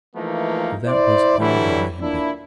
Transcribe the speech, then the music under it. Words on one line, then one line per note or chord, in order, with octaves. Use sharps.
For that was all that I had been.
E3 F3 A3 A#3 D#4
E4 C5 D5
D3 E3 F#3 G3 E4
A#2 D4 E4